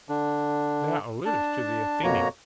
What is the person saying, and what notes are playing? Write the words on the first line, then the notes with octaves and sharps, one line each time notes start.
'Thou alludest to the Athenian.
D3 D4
D4 A5
F2 B2 A#3 F#4 C#5 A#5